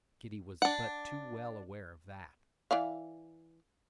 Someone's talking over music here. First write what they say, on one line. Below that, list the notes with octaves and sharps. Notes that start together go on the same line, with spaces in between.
Kitty was but too well aware of that.
D4 F#5
E3 D5 F5